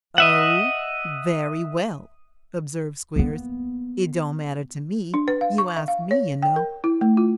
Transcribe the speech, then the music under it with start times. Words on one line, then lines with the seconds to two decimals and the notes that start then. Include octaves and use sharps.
'Oh! very well!' observed Squeers, 'it don't matter to me; you asked me, you know.
0.18 D#5 E5 F#5
3.16 A#3 B3
5.14 D4
5.28 B4
5.41 F5
5.58 C#6
5.77 E5
5.88 F5
6.11 C#5
6.43 G5
6.56 A#4
6.84 E4
7.01 A3
7.17 F4